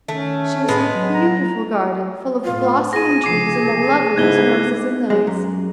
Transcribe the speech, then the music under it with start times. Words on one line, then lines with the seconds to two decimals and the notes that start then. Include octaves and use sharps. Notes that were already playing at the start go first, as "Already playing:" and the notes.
She was in a beautiful garden, full of blossoming trees and the loveliest roses and lilies.
0.08 D#3 A3 C#4
0.68 A2 G#3 B3
0.95 F#3
1.13 A#5
2.44 A2 F4
2.93 G#4 A#6 D#7
3.24 C#2 C3 F3 D6 C7
4.16 G#2 C#3 A3 B3 E4 F#6 G#6 G7
5.10 G#3
5.27 F#2